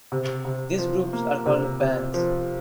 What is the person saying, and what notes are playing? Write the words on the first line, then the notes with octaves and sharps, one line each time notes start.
These groups are called bands.
C3
C3
F3
A#3
C3
C3
F3